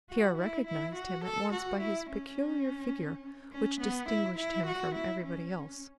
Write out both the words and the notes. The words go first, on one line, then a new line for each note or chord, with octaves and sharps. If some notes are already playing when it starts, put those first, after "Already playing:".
Pierre recognized him at once by his peculiar figure, which distinguished him from everybody else.
F#4
E4
E4
F#4
A4
F#4
E4
C#4
C#4
B3
E4
E4
F#4
E4
C#4